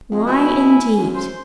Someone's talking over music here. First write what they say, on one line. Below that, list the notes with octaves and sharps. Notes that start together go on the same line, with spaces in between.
Why, indeed?
F2 G#3
B2 E4 G#5
F#2
C5 C6